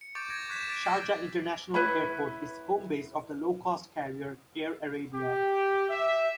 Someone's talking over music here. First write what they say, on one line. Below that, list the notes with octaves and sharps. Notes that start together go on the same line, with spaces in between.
Sharjah International Airport is home base of the low-cost carrier Air Arabia.
C#7
C#6 D6 G6 A6 D7
G6 G#6 A#6 D7
C#6 F#6 G#6 B6 D7 E7
D6 A6 B6 D7
E6 G#6 A#6 C7 D7
E4 B4 C#5 B5
G4
E5